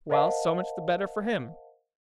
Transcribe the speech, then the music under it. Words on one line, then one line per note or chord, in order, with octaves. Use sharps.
"Well, so much the better for him."
A#4 C5 D#5 F5 F#5 A5